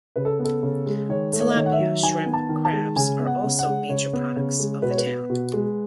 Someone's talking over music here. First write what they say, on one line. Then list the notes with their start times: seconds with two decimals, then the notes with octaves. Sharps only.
Tilapia, shrimp, crabs are also major products of the town.
0.16 C#3 B4
0.25 A4
0.39 B3
0.44 A4
0.63 C#3
0.86 G#3
1.09 D#3 C#5
1.33 A3
1.40 C#5
1.49 D#5
1.55 D#3 C#5
1.66 F#5
1.72 E5
1.79 F#3
2.03 D#3 G#5
2.26 B3
2.33 A5
2.49 D#3
2.65 A5
2.73 G#3
2.96 C#3 G#5
3.19 B3
3.27 F#5
3.43 C#3
3.59 F#5
3.66 G#3
3.89 C#3 C#5
4.13 B3
4.36 C#3
4.59 G#3
4.82 B2 B4
4.91 C#5
4.98 B4
5.06 B3
5.30 B2
5.53 G#3